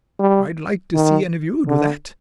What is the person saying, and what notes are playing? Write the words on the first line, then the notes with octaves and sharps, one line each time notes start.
I'd like to see any of you do that!
G3
D#3
D3